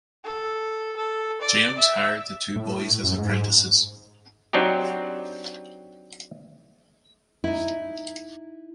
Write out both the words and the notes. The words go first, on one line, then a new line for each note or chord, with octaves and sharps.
James hired the two boys as apprentices.
A4
A4
D5
E5
A2
F#2
G#2
F#3 C4 D4 D#4 G4
D#4 E4